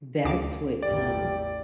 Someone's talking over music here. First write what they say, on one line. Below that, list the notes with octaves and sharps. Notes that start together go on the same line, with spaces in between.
that's what, um
D2 C#3 D6
A1 E2 G4 D5